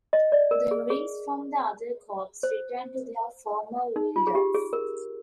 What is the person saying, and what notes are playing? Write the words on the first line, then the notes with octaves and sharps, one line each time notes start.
The rings from the other corps return to their former wielders.
D#5
D5
A#4
G#4
G#4
C5
D#4
F4
G#4
G4
G#4
A#4